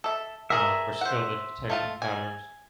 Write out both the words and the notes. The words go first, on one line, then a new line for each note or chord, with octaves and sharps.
Um, we're skilled at detecting patterns,
A4 E5
G#4 A#4 E5
C5 F#5
A3 F4 A5
G#5